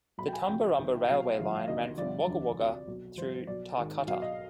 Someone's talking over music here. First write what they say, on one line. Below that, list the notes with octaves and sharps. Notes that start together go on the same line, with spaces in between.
The Tumbarumba railway line ran from Wagga Wagga through Tarcutta.
B1 B2 B5
G5
G#5
D2 C3 F3 G5
C2 C3 D#3
B1 B2 F5
G1 G2 F3
F5
D2 C3 D#3 D#5
G1 G2 F3 D5
F1 D#2 D3
D2 C3 F3
B1 B2
G1 G2 F3 C5
B1 B2 D5
G#1 G#2 D#3
B1 B2 F5
D#5